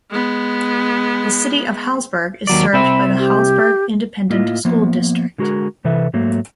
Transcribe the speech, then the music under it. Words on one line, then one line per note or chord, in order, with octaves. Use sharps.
The City of Hallsburg is served by the Hallsburg Independent School District.
G#3 B3
D#2 F#3 D5
C2 C4 E5 B5
G4
A2 A#3 E4 F4 D#5
F3 A#3 B3
D3 G#3 F#4 G#4 A#4
C3 E3 A4 B4 E5
G#2 F#3 A3 A#3